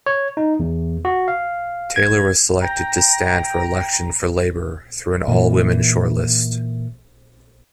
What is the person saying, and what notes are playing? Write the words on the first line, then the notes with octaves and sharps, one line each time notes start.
Taylor was selected to stand for election for Labour through an all-women shortlist.
C#5
D#4
E2
F#4
F5
G#6
G5 A#5
A#2 E3